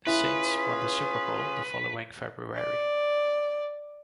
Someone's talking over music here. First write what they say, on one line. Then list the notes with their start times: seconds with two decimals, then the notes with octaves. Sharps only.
The Saints won the Super Bowl the following February.
0.07 C#4 E4 F4 G#4 B4 E5 B6
2.58 D5